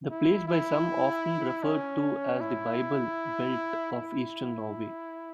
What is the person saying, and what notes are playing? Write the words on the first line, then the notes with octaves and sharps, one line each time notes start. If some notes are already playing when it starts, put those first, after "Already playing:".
The place by some often referred to as the Bible belt of eastern Norway.
E4
E4
C#4
E4
E4